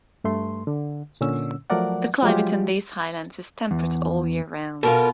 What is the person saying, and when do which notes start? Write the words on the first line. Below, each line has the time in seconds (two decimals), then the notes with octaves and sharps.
The climate on these highlands is temperate all year round.
0.24 G2 A3 C6
0.67 D3
1.21 A#2 D3 C#4 E6
1.70 F3 F#3 A3 A#4 D5 F#5
2.22 F3 F#3 G#3 F4 G4
3.71 E2
4.83 B2 F4 A4 A#4